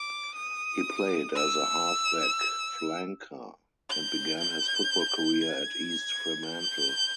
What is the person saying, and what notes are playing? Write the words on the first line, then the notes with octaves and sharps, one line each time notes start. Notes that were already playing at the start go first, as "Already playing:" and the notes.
He played as a half-back flanker and began his football career at East Fremantle.
Already playing: D6
D#6
E6
G6
G6
G#6
G6